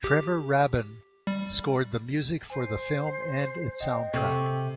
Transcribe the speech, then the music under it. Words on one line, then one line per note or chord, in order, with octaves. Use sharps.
Trevor Rabin scored the music for the film and its soundtrack.
G4
G3
C5 G#5
D#5 F#5 G5
C3 A4 C#6